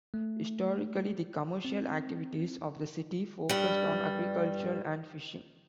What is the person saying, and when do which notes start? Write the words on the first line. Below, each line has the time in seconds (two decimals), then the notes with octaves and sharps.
Historically, the commercial activities of the city focused on agriculture and fishing.
0.14 A3
1.65 C4
3.49 G2 G3